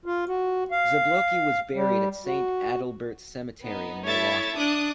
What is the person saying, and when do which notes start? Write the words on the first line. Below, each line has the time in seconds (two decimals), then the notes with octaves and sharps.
Zablocki was buried at Saint Adalbert's Cemetery in Milwaukee.
0.06 F4
0.28 F#4
0.71 F5
1.74 G3
2.26 F#4
3.62 B3 D#4
4.04 A3 E4 C#5 E5 A6
4.58 D4 D6 D#6 F#6